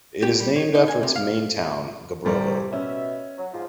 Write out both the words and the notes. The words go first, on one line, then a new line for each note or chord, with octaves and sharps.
It is named after its main town - Gabrovo.
G4
G3
C#5
D#4
G#5
C3
F5
A1 G2 C3 G3 A#4
B2 C#4 E5
F#3
G#2 F3